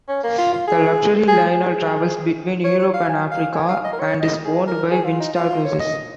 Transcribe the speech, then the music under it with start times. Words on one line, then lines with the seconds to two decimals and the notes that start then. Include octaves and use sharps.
The luxury liner travels between Europe and Africa, and is owned by Windstar Cruises.
0.08 C#4
0.23 A#3
0.38 F4
0.53 F4
0.68 G#4
1.28 G#4
1.51 G#4
2.64 C#5
2.79 C#5
2.94 F5
3.09 G#5
3.31 F5
3.54 G#5
3.69 F5
3.84 D#5
3.93 A#4
4.00 C#5
4.22 D#5
4.45 G#4
4.67 A#4
4.91 G#4
5.05 F4
5.20 D#4
5.35 F4
5.50 F4
5.65 C#5
5.80 D#5